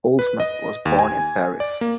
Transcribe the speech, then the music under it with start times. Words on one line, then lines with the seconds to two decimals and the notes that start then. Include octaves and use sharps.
Holzman was born in Paris.
0.19 B4
0.40 D#5
0.85 D#2
0.99 G#5
1.60 D5
1.81 A#3